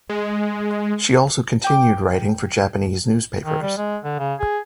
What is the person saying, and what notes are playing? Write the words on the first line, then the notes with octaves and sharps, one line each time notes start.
She also continued writing for Japanese newspapers.
G#3
G5 D6
D#3
G3
G#3
D3
C#3
G#4